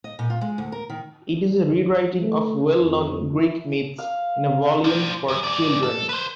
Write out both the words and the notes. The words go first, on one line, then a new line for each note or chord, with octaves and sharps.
It is a re-writing of well-known Greek myths in a volume for children.
D#5
A#2
F4
G#3
D2
A#4
D#3
A3
F2
E4
F5
F3 D4
F#2
G#2 D5
A4
B4 C5